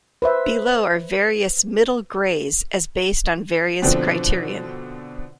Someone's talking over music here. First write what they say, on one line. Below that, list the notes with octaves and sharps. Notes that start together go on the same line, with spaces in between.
Below are various "middle" grays as based on various criterion.
B4 C5 E5
B2 D3 F3 C4 D4 F#4